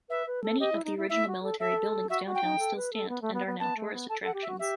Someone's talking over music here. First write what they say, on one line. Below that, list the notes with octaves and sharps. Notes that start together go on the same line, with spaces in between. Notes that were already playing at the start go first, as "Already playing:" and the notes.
Many of the original military buildings downtown still stand, and are now tourist attractions.
B4 E5
B4
A4
G4 D#5
E4
D#4
E4
E4 E5
F#4
A4
A4 E5
F#4 E5
F#4
G5
D#4
A4
B4
A4
B3
A3
B3
B3
B3 A5
A3
B3
A4 A5
A4 F#5
G4
E5
F#4
G4 E5